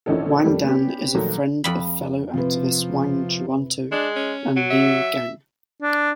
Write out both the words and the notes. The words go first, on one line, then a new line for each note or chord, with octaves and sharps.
Wang Dan is a friend of fellow activists Wang Juntao and Liu Gang.
A#1 A#2 E3 C#4 D#4 A4
F2 D#3 G3 A3
B3 C#4 G4
A#2 D#3 F3 F#3 A3
F2 B5
C3 F3 B4
G#3 D4
C#4
F#3
E5
D4